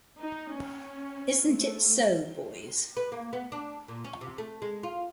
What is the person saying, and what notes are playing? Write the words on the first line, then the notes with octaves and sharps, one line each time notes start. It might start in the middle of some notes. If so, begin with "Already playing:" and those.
Isn't it so, boys?
D#4
C#4
A3
B4
A#3
B3
D4
A#2
C#4
C3
A3
G#3
F4